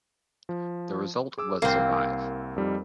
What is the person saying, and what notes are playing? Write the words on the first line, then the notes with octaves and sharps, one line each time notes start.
The result was Survive!
F3
G#4 D6 E6
C2 A#3 C4
F2 G3 D#4